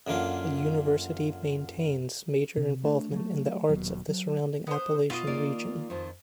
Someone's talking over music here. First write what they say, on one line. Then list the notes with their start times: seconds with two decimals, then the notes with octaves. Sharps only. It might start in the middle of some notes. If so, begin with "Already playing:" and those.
The university maintains major involvement in the arts of the surrounding Appalachian region.
0.07 F#2 D3 A#3 F4
2.57 C3
2.83 A3 C#4 D4
3.12 F#3 A3
3.69 D#1 D#2 B2 F#3
4.08 F#3
4.67 B3 C5
5.10 B2 F4 D#5
5.27 D#3 A#3 D5
5.90 F2 D#3 F3